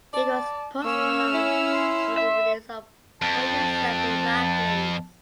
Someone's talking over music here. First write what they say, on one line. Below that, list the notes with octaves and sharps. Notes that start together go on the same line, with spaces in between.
It was postponed for the release of "Put Yourself in My Place".
D5 A5
A#3 C#4 C#6 E6 F6
E4
C6
E5
F2 A5